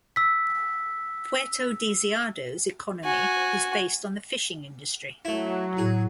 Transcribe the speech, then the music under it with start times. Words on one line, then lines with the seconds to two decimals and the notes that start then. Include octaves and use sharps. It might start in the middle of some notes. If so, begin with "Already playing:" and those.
Puerto Deseado's economy is based on the fishing industry.
0.16 E6 B6
3.04 F#4 G#5
5.25 F#3 A3 E4
5.78 A2 G#4